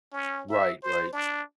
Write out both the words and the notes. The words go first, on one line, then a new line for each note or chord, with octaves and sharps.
Right, right.
C#4
E5
C5
D4